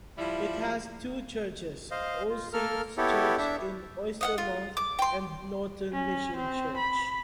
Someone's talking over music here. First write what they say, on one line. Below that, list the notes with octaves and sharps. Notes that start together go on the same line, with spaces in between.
It has two churches: All Saints Church in Oystermouth and Norton Mission Church.
F3 G3 E4
C5 D#5 F5
F4
A#3 A4 A#4 F6
B3 E4 G4 A4 C#5
D4 E5
D#5 F5 F#5
F4
D6
G5 C6
C#4
C4
B5